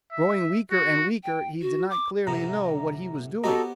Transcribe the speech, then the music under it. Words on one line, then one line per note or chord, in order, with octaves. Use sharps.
Growing weaker and weaker, he did not clearly know what he was doing.
E5
F#4
G5
F#4
D6
F#2 A2 C3 A#5
B3 C4 F#4 G4 A4 D#5 A#5